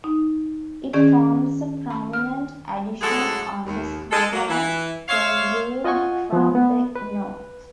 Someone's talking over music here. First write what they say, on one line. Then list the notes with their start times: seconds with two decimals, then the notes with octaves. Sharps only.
It forms a prominent addition on the skyline when viewed from the north.
0.04 D#4
0.93 D#3 C#4 G#4 D5
1.90 B5
2.13 F6
3.01 A2 D3 F#3 G#3 G#4 A4
3.66 D#2
4.11 G#3 A4
4.32 F#3 A#3
4.48 E3 E4
5.08 C5 C#5 E5 F5
5.84 F4 D#5 F#5 G#5 C#6
6.33 F3 B3
6.55 B3
6.96 B4